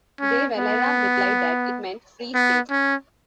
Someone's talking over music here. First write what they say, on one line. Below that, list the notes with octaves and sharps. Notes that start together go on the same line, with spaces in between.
De Valera replied that it meant 'Free State'.
C#4
B3
B3
C#4